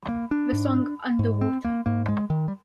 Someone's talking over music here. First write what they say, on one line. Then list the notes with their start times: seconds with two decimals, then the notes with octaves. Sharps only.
The song Underwater!
0.09 A#3
0.31 D4
0.53 G#2
1.19 G#2
1.41 C4
1.65 A#3
1.86 G#2 A#3
2.08 G#3
2.30 D#3
2.48 G3